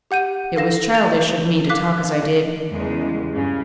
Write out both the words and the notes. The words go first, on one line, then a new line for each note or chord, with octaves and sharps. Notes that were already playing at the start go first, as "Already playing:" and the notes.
It was childish of me to talk as I did.
G4 F#5 G6 D#7
A4 F5 A#6 E7
A6 F7
F5 D6 F#6 B6
E2 C#3 G3 G#3
G2 C#3